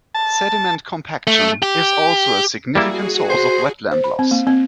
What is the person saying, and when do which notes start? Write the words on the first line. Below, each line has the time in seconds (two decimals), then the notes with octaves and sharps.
Sediment compaction is also a significant source of wetland loss.
0.15 A5
1.27 A3
1.62 G4
2.75 G3 A#3 E4 F#4 G#4
3.30 C5
3.91 C5
4.04 B5
4.19 C4
4.31 A#3
4.47 C4